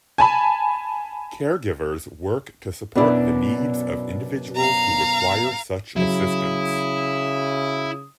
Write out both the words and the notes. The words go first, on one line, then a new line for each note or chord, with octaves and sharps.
Caregivers work to support the needs of individuals who require such assistance.
G#5 A5 B5
F#2 B2 B3 D4 E4
F5 A#5
C#3 F#3 E4 D#6